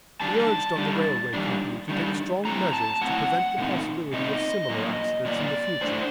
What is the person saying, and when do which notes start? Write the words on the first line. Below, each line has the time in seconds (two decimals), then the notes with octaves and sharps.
He urged on the railway company to take strong measures to prevent the possibility of similar accidents in the future.
0.21 D#3 G3 D4 A5
0.77 D#3 G3 D4
1.34 D#3 G3 D4
1.89 D#3 G3 D4
2.45 A2 F#3 C4 A#5
2.73 A5
3.01 A2 F#3 C4 F#5
3.58 A#2 A3 C4 D#4
4.13 A#2 A3 C4 D#4 D#5
4.70 A#2 F#3 A#3
5.25 A#2 F#3 A#3 D5
5.81 A2 A3 D4 C5